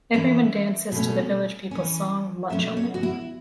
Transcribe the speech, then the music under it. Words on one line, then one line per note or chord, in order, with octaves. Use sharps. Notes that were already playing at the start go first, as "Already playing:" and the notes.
Everyone dances to the Village People's song "Macho Man".
E3 C#4 E5
B2 A3 C#4
E3 C#4
B2 F#3 A3 C#4 E5
C#5
F#4
E4